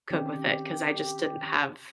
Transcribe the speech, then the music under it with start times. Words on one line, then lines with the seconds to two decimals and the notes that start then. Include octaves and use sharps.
cook with it 'cause I just didn't have
0.11 D#3 C4 C#4 G4